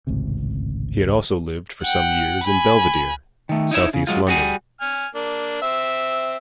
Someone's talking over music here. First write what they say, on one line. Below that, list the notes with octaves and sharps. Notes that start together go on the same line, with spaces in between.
He had also lived for some years in Belvedere, South East London.
G#1 C#2 A2 C3
F#5 G5
G#5 B5
D#3 A3
D#4 E4 C#5 E5
C#3
F#3 G#3 F4
G3 F#4 G#4
G#5 F6
A#3 D4
C4 E5